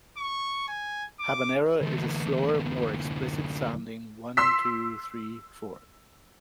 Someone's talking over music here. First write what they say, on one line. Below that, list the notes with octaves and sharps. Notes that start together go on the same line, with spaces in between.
Habanera is a slower, more explicit sounding "one", two, "three"-four.
C#6
G#5
D6
D2 E3
C6 E6 B6